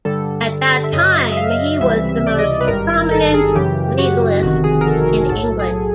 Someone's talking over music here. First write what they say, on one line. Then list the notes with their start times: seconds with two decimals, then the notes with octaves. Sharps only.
At that time, he was the most prominent legalist in England.
0.05 G2 D3 G3 A4
0.84 E5
0.93 F#2 C#3 F#3 D#5
1.32 E5
1.37 F5
1.81 C#2 C3 E3 G3 E5
2.09 E5
2.27 D5
2.39 D#5
2.61 B4
2.67 G#1 G2 D#3 G3 A#4
2.89 A#4
3.11 A4
3.34 G#4
3.55 F#2 C#3 E3 G4
3.98 F#4
4.43 G1 F2 C3 D#3 F#4
4.64 G#4
4.81 A#4
4.87 A4
5.08 A#4
5.29 B1 A2 F#3 A4
5.59 G#4